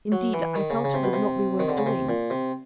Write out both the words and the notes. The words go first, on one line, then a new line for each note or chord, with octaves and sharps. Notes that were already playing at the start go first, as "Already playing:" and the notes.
Indeed I felt it would not be worth doing.
F#3
E3
D#3
C#3
C#3
C3
B2
C3
D#3
D3
C#3
C3
A#2
C3